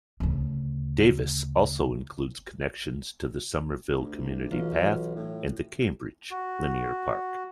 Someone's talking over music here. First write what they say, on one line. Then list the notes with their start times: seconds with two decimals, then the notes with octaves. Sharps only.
Davis also includes connections to the Somerville Community Path and the Cambridge Linear Park.
0.20 D2 C#3
3.94 D2
4.51 B1 E3 F4
5.16 A2
6.31 F#4